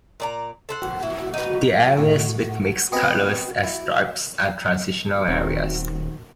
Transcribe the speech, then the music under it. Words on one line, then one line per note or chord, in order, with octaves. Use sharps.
The areas with mixed colors as stripes are transitional areas.
A#2 D5 A#5
A4 C5 F#5
E4
D#4 B4
A2
B3 C4 D#5 G#5 A#5 B5
E4
D#1 D#3 C4